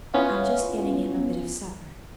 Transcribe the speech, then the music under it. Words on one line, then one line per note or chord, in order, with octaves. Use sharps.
I'm just getting him a bit of supper.
B3 C#4 E4 F4